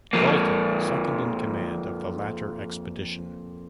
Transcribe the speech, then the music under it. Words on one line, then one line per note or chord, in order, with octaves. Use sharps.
Dalton, second-in-command of the latter expedition.
F2 F3 A#3